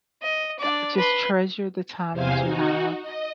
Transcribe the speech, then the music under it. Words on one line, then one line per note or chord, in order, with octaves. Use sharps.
...g just treasure the time that you have
D#5
D4 D5
B4 C6
E2 C3 C5 F5 G#5
D#4 F#4
D#5